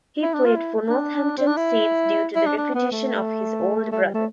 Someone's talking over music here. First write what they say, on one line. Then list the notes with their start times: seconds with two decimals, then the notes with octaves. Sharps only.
He played for Northampton Saints due to the reputation of his older brother.
0.22 E4
0.34 D4
0.45 F4
0.56 E4
0.90 D4
1.37 C4
1.47 D4
1.57 E4
2.35 E4
2.46 D4
2.57 D4
2.74 B3
2.91 A3
3.92 A3
4.03 G3
4.14 A3